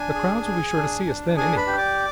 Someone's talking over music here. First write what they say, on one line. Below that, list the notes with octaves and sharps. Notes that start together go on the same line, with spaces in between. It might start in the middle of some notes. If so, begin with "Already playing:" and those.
"The crowds will be sure to see us then, anyhow."
Already playing: D4 G#5
G#4
G#4
D4
D4
D4 G#4 G#5
B4 B5
G4
D5 D6